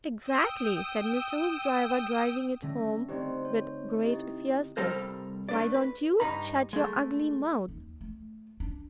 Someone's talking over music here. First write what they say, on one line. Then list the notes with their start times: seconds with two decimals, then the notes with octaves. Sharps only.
"Exactly," said Mr. Hoopdriver, driving it home with great fierceness. "Why don't you shut your ugly mouth?"
0.20 G5 D#6 E6
2.62 D3 A3 C#4 A#6
3.09 C4 D#4 G4 C5 D5
3.45 C#5
4.03 E4 G4 D#5
4.77 C2 G3 A4 A#4 C5
5.49 A3 D4 D5
5.74 B4
6.20 G2 D#4 A#5 B5
6.73 G#3 A3
7.68 D#2
8.01 A3
8.60 D4